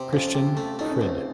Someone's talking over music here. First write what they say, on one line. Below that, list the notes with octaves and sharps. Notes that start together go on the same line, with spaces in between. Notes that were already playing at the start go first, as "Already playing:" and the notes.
Christian Frid.
Already playing: C3
F2 C#4
C3
A3
A3 D#4
C#4
C#2 C4